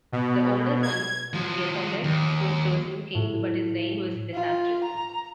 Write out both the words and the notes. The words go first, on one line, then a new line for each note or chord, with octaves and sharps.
The older son, Gesalec, was chosen king but his reign was disastrous.
B2
G#6
F3 F#3
D#2
A2
F4
A#5